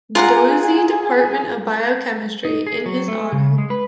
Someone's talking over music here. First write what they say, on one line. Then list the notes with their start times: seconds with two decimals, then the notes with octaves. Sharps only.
Doisy Department of Biochemistry, in his honor.
0.15 F4 G#4 A#4 F#5
2.45 D#4
2.67 G#4
2.86 F#3
3.08 A3
3.32 C#3
3.58 G#3
3.70 B4